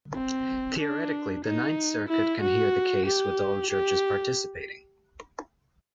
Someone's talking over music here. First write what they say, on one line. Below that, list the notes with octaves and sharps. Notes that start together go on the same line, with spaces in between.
Theoretically, the Ninth Circuit can hear the case with all judges participating.
C4
D4
D#4
E4
F#4
G4
G4